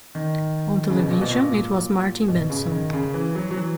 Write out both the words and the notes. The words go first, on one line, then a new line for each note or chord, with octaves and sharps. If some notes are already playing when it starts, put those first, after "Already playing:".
On television, it was Martin Benson.
D#3
C#3
B2
A#2
B2
A#2
B2
C#3
D#3
C#3
E3
F#3
F#3
E3